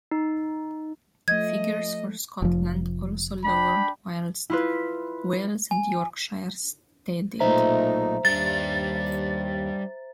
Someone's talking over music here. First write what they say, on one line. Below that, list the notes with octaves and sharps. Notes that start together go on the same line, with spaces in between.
Figures for Scotland also lowered whilst Wales and Yorkshire steadied.
D#4
F3 A3 D#5 G#6
F1 F3
D4 G5 B5
E4 F4 B4
G#5
B1 A#2 A3 D#4 B4 C5 E5 A#5
D#2 G3 D4 A6